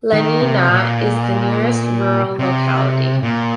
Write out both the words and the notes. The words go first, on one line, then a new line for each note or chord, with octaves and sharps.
Lenina is the nearest rural locality.
D#3
C3
A#2
C3
A#2